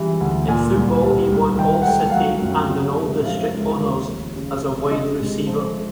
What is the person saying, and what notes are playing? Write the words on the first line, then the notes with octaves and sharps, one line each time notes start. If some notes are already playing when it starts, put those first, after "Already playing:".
In football, he won All-City and an All-District honors as a wide receiver.
Already playing: C#3 E3 G3
D2
A#2 G#5
C2
G3
C2
D#3 G5
F#5
A3 G5
F5
F#3 F#5
F#2
C3
G#3
E5
F3 F5
C#2
D#2
F1
C#3
F1
C3 D#5
G#3
F3